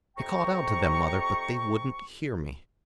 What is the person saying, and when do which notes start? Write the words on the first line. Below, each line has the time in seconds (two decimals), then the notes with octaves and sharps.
"I called out to them, mother, but they wouldn't hear me."
0.17 F2 C3 G5 A#5 C#6